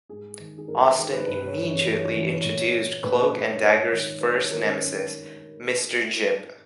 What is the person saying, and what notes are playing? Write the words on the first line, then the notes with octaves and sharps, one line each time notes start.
Austin immediately introduced Cloak and Dagger's first nemesis, Mister Jip.
G#2 G#4
D#3
G#4
G#2 A#4
B4
D#3 G#4
B4
G2 B4
C#5
E3
C#5
G2 C#5
C#5
E3
C#5
A#2 C#5
C#5
A#2 B4
B4
C#5
G#2 C#5
D#3
G#2 B4
C#5
D#3 A#4
C#4